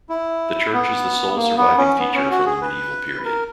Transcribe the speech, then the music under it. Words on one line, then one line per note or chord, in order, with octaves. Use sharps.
The church is the sole surviving feature from the medieval period.
E4
B3
A#3
B3
C#4
B3
C#4
F#4
G#4
B4
A#4